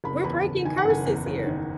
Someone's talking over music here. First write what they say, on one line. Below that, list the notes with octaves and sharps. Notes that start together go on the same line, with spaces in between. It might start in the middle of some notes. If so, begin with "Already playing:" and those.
We're breaking curses here.
F#1 B5
E2 B5
F#1
D#3 G#5
F#5
F#1 G#5
E2
F#1
D#3